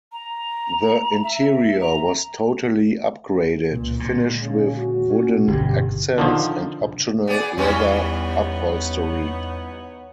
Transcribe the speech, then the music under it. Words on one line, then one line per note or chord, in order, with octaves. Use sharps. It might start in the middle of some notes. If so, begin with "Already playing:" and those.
The interior was totally upgraded, finished with wooden accents and optional leather upholstery.
A#5
E5
A#5
C#2 A#2
A#2 D3 G#3
C#3
F#4
C#4
G1 G2 B2 D3 G4
D3 D#3 F3
B3 G#4 D5
E2 E3 G3 B3 C#4 D#4 C#5